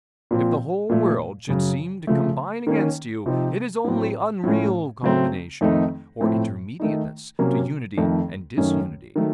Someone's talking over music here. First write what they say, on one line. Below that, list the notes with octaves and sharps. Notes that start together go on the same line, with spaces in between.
If the whole world should seem to combine against you, it is only unreal combination, or intermediateness to unity and disunity.
A#2 F3 C4
A#2 F3 A3
F#2 C#3 F#3
C#3 F3 A3
D#3 A#3 C#4
C3 F3 C4 D#4
A2 F#3 C4
A2 F3 A3 C#4
C#3 F#3 A3 C4
F2 D#3 A3 C4 D#4
A2 F3 A3 C4
D#3 A3 D#4
C3 F#3 A#3 C#4
F2 D#3 A3
F#2 D#3 A3 C#4
D#3 F#3 A3